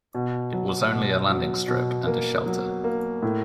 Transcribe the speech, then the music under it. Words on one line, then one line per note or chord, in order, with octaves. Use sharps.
It was only a landing strip and a shelter.
B2
F#3
B2
F#3
B2
A#3
F#3
A#3
A2